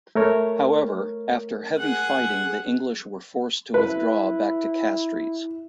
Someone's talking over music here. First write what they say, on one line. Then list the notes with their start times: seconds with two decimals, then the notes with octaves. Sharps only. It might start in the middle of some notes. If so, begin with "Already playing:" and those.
However, after heavy fighting the English were forced to withdraw back to Castries.
0.15 A3 A#4 C#5
1.79 G#4 F#5
3.74 E4 B4